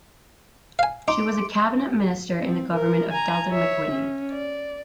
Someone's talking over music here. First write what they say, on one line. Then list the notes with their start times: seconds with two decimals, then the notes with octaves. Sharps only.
She was a cabinet minister in the government of Dalton McGuinty.
0.79 F5 G#5
1.08 D#4 C6 D6 D7
2.42 C4
2.74 A#4
3.12 G#5 A#5
3.51 C#5 E5
3.91 C#4
4.31 D5